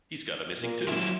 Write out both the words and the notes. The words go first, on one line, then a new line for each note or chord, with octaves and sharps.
He's got a missing tooth!
A#2
F3 F#3 E4